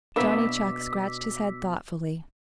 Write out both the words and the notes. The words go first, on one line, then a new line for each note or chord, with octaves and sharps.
Johnny Chuck scratched his head thoughtfully.
B2 A#3 B3 D4 E4 D6 E6 B6